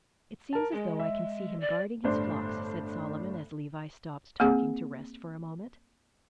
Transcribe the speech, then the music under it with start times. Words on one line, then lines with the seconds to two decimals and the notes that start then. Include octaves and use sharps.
"It seems as though I can see him guarding his flocks," said Solomon, as Levi stopped talking to rest for a moment.
0.53 A#4 A5
0.73 G#3 G#4
0.99 E5
1.60 D5
2.04 G1 A2 D4 C5
4.40 A#3 C4 G#4